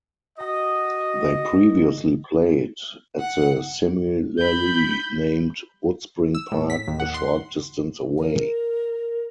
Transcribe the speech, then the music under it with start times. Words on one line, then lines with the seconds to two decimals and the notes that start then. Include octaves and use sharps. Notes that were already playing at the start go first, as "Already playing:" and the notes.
They previously played at the similarly named Woodspring Park a short distance away.
0.39 F#4 D#5
3.20 F#5
4.38 B5 G6
6.35 E6
6.52 A2
6.70 B6
6.87 D#2
7.00 F#5
7.14 C6
8.17 A#4